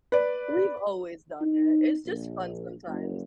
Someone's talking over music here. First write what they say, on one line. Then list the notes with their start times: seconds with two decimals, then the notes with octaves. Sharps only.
We've always done it, it's just fun sometimes.
0.12 B4 D5
1.42 D#4
2.06 A#1
2.87 F#1